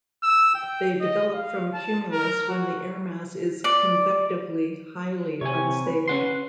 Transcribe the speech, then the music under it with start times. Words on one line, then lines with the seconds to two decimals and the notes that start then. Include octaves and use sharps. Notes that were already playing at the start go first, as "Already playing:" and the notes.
They develop from cumulus when the airmass is convectively highly unstable.
0.23 E6
0.54 G5
1.00 D#5
1.34 F5
1.73 A5
2.12 A#4
2.49 F#4
3.64 D5
5.41 C3 C#5 G#5
5.87 B4
6.08 C#4 F#5 C6